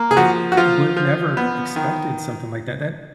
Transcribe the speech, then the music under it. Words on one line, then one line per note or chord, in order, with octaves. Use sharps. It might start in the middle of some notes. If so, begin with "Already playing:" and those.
I I would’ve never expected something like that that
Already playing: A#3
G#4
F3 F#4
F#4
F3 F4
F3
B3
D#3